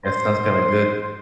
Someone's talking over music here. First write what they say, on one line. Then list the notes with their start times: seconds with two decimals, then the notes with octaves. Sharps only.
That sounds kinda good.
0.06 C5